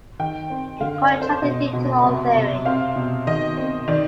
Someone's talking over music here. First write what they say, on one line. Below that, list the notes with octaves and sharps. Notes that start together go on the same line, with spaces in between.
It contradicted all theory.
D#3 G5
C4
D3 F5
D5
C4
C5
B2 D#5
B2
C3
C3
C4 F5
B2
D#3 D#5
C4
D#3 D5